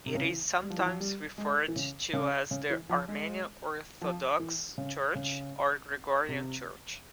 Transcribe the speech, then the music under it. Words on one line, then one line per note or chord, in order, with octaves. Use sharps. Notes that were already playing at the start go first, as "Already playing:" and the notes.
It is sometimes referred to as the Armenian Orthodox Church or Gregorian Church.
C3
C#3
E3
G3
F3
E3
F3
G3
G#3
E3
C#3
C#3
C#3
E3
F3
G#3
F3
E3
C#3
C#3
C3